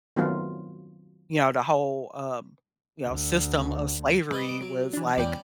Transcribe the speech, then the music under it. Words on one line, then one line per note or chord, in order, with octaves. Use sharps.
you know, the whole, um, you know, system of slavery was, like,
D#3 F#3 A3 B3 C4 F4
D2
G3 B4 D#5
D7
F#3
E3 D4
E2 G3 C#4 D5 G5